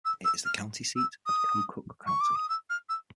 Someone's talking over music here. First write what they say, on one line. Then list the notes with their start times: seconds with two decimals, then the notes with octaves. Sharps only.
It is the county seat of Keokuk County.
0.05 E6
0.25 E6
0.45 F6
0.96 E6
1.26 D#6
2.07 C#6
2.20 D6
2.36 D#6
2.49 E6
2.70 F6
2.89 E6